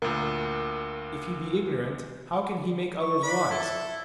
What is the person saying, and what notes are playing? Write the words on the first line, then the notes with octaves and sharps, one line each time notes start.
If He be ignorant, how can He make others wise?
D2 A#2 A#4
C#6
D4 D5 B5
E4 A4